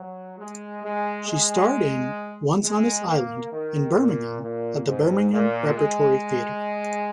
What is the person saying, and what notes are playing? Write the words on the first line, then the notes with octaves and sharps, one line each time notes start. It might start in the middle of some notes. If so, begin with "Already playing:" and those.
She starred in "Once on This Island" in Birmingham at the Birmingham Repertory Theatre.
Already playing: F#3
G#3
G#3
G#3
G#3
A#3
D#3
A#2
A#2
G#2
A#2
G#3